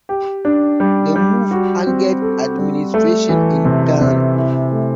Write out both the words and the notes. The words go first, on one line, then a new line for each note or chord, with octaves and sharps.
The move angered administration in Ghana.
G4
D4
G3
G3
F#4
C4
A4
G3
A3
E3
C3
C3
E4
A3